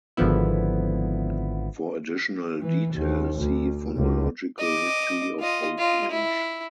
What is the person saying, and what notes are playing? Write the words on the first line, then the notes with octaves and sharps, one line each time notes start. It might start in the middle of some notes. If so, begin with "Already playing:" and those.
For additional detail, see Phonological history of Old English.
G#1 D3 F3 B3 E4
E3
D#2
D2
C#2
D#5 D6
F4 D#5
F4 D#5
E4